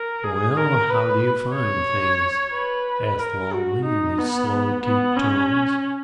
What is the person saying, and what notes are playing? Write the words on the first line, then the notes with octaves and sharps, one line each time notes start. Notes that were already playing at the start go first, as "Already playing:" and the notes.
"Well, how do you find things?" asked Longley, in his slow, deep tones.
Already playing: A#4
G#4
A#4
B4
C#5
B4
A#4
F#4
D#4
B3
B3
C#4